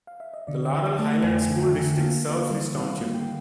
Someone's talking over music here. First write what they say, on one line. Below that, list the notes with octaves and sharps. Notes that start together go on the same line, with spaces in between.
The Laurel Highlands School District serves this township.
F5
E5
D#5
D3 D5
D3 E5
A3 A5
F2 G#5
G5
G#5
D3
G5
D3
A#3 F5
A#3
G3
D#3 F#5
A#3
G5